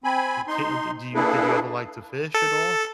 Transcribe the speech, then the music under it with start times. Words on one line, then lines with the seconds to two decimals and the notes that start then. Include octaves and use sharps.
it's can d do you did you ever like to fish at all?
0.04 C4 G#5 B5
0.47 D#4 C6
1.15 A#3 D4 E4 G#4 A4 B4
2.34 A4